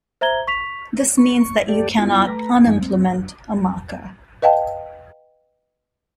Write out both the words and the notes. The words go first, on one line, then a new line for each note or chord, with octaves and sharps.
This means that you cannot "unimplement" a marker.
C5 E5 A#5 G#6 G7
C#6 B6 F7
C#6
G4 A4 D5
B3 E4 F4
A3 B4 A#5
G2 F3 A3 D#4 G#5
C4
B4 D#5 F5 G5 A5